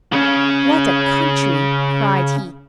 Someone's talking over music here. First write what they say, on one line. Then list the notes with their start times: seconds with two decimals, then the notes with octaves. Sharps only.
"What a country!" cried he.
0.13 C#3 C#4